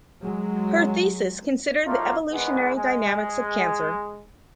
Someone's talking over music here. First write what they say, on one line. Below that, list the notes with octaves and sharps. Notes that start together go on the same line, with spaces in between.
Her thesis considered the evolutionary dynamics of cancer.
F#3 G#3
F#3 A3 A#3 D#4 F4
E2 G#2 D#3 E3 G#3 B3
G#3